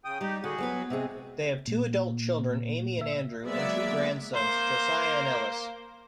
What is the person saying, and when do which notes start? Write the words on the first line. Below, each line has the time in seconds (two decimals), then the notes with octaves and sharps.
They have two adult children, Amy and Andrew, and two grandsons, Josiah and Ellis.
0.05 C#3 G5 D#6
0.21 G3 D#4 G4
0.44 D3 F#4 G#4 F#5
0.58 F#3 B3 B4
0.90 C3 G#3 C4 G#4
1.67 A#2
3.01 E5
3.45 F#3 G#3 A#3 B3 D5 E5
4.34 A#3 C5